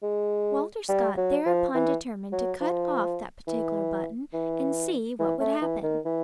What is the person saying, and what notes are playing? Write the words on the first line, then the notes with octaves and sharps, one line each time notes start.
Walter Scott thereupon determined to cut off that particular button, and see what would happen.
G#3
G3
F#3
F3
E3
F#3
F3
E3
E3
E3
A3
E3
D#3
E3